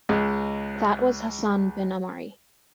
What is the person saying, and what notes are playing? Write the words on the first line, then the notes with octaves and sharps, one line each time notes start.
That was Hassan bin Omari.
C#2 G#3